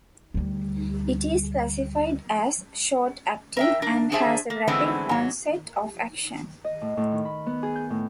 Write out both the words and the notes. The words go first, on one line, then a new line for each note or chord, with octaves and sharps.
It is classified as short-acting, and has a rapid onset of action.
D2 G3
A#4 E5 G5
D4 A#4
D4 G#4 C5 E5 A5
A#3
D3 E3 G#3 A3 B3 C4
G#2 F#3
D#5
A2
A2
D#3
B5
B3
G#4
G6
A2